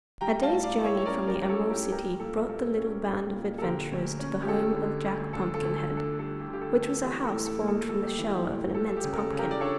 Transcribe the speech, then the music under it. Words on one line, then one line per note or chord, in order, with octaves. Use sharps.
A day's journey from the Emerald City brought the little band of adventurers to the home of Jack Pumpkinhead, which was a house formed from the shell of an immense pumpkin.
G3 G5 A#5
F5 A5
A2
D5 F5
A2
C#5 E5
C#5
C#4 A#4 D5
A#4 D5
G3
A#4
A4 C#5
A2
G4 A#4
G3 G4 A#4
A#2 A4
A#2 A4
C#4
G3
A#2
A4
D3 G4 A#4
D2
C#4
G4
G3 A4
D3
D2
D3 A4
A4
D2
A4
D4
A4
G3 A4
G4
D3
G4
A4
D2
A4
E3 G4
A#4
A4
A2
A4
A#3
A4
G3 A4
G4
E3
G4
A2
G3 A4
A4
G4
C#3
A#4
A4
C#3
G4 A#4
D5
D4 A4 C#5